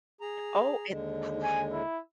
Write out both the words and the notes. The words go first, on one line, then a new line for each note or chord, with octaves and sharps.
Oh, and, oof.
G#4 A#5
D#2 D3 G#3
G#5
E4